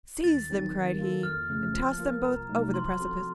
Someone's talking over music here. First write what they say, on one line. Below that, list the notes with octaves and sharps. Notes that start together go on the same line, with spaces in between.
"Seize them," cried he, "and toss them both over the precipice!"
D#2 A6
D#3 F#3 C4 D#4
D#3
A#3 F4 A4
F2 F6
C#3 F3 A3
F3
A#3 F4 A#4
C2 A#5
C3 F#3 A3 D#4
F3 C6
C4 F#4 A4 C5